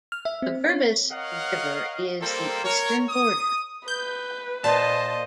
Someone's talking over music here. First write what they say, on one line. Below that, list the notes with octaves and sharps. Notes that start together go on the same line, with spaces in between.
The Berbice River is the eastern border.
F6
E5
C4
C#5
A#4 C#5 D#5 F5 F#5
G3 A#3 C4 A4 A#4 C5
A#4 C#5
D#6
B4 G6
A#2 C5 D#5 A5